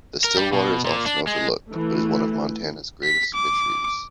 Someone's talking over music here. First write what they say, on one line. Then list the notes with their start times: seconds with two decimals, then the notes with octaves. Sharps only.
The Stillwater is often overlooked, but is one of Montana's greatest fisheries.
0.24 A#4
0.37 G3
0.53 B2
0.85 A#2
1.06 D4
1.27 G#3
1.72 E3 A3
3.03 B6
3.35 D6